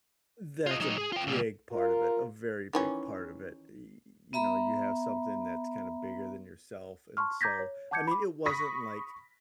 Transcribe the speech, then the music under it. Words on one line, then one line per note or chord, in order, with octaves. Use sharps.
That's a big part of it. A very big part of it. Y you know, you have something that's kinda bigger than yourself, and so I mean, it wasn't like
F4 D#5
F#3 D#4
G#4
F4 G5
C#2 A#2
F4 A#4
D#3 E3 C#4
B3 E5 A#5 B5
A5 C6 C#6 F6
A#5 D6 G6 G#6 A#6 B6
C#5
F#5 A5 D6 G6 G#6 C#7
B5 D6
B5 C#6 D#6 A#6 B6